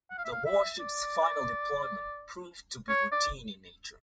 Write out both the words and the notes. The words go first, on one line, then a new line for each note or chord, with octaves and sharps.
The warship's final deployment proved to be routine in nature.
F#5
F5
E5
F5
E5
D5
C#5
D5